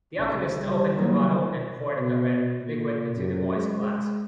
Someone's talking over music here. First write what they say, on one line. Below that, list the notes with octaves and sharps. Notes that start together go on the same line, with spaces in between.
The alchemist opened a bottle and poured a red liquid into the boy’s glass.
B1 C#3
G3
D#3 F#3 G3 A#3
B2
A#2
F#2
G#3